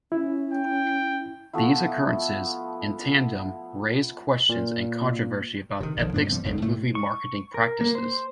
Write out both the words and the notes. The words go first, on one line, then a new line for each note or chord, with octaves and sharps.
These occurrences, in tandem, raised questions and controversy about ethics in movie marketing practices.
C#4 E4
G5
F3 A3 B3 E4
A#2
C3 D#3
B1 D#3 F3
G2 A#2 B3 D4
C3 F3 G3
F#1 B1 F2 C#3
A2 A3
C#6
A#4
A#3
C5